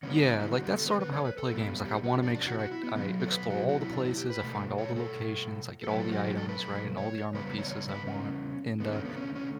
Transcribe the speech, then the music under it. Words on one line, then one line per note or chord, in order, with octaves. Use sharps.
yeah, like, that's sort of how I play games, like, I wanna make sure I I explore all the places, I find all the locations, I get all the items, right, and all the armor pieces I want, and, uh,
D3 G3 B3 C#4
D4
D4
E4
F#4
G4
A4
B4
B4
C#5
B4
A4
B2 G3 B3
G4
F#4
D4
D4
F#4
F#4
E4
B3
B2 F#3 B3 C#4
A4
C#5
B4
F#4
F#4
E4
D4
E4
G4
B4
B2 A3
C#5
A4
A4
B2 F#3 A3 B4
A4
F#4
G4
A4
B4
C#5
C#3 G3 B3 B4
B4
C#5
C#5
B4
C#4
D3 A3 B3
C#4
B3
C#4
C#4